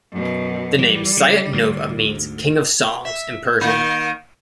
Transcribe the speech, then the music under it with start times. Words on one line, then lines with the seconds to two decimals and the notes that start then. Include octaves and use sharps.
The name Sayat-Nova means "King of Songs" in Persian.
0.12 F#2 B2
0.79 E3 G3
1.17 C#3
1.53 D2 G#2 D3
3.05 E5
3.61 D#3 A#3